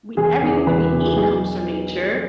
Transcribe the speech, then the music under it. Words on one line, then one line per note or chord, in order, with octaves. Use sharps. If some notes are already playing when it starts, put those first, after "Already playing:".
we everything that we eat comes from nature.
E1 G#4
E2 E3
E1 B4
E2 E3
B1 G#4